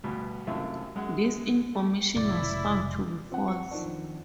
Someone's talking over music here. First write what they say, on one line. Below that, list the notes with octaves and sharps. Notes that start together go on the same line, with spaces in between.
This information was found to be false.
D2 G2 B2
G#1 F#2 C3 A3 E4 F4
F#2 G#3 F#5
A3
F1 A2 C#3 E4 D5
F2 C4 F#5
C#6
D#3 F3 D4